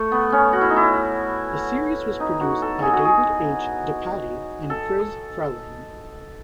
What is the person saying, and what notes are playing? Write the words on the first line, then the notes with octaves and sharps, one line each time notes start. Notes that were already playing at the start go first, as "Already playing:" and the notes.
The series was produced by David H. DePatie and Friz Freleng.
Already playing: A3
B3
C#4
F#4
E4
D#4
E4
D#4
F#4
A4
G#4
F#4
G#4
A4